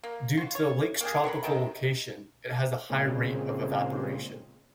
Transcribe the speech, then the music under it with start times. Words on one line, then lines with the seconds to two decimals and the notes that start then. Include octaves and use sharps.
Due to the lake's tropical location, it has a high rate of evaporation.
0.04 A#3
0.37 F4 F#4
0.55 C#5
1.01 A#3 G4 G#4
1.24 F#3 A#4 C#5 B5
1.44 C3 A#4 D#5 E5
2.90 A#2 C#3 G#3 C4